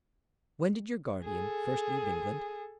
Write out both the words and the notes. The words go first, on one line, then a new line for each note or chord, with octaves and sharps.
"When did your guardian first leave England?"
G#4 A4